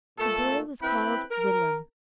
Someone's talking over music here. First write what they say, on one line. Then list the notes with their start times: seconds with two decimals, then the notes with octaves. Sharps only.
The boy was called Willem.
0.18 A#2 A3 A4
0.82 C4 E4 B4 G5 B5
1.30 A#4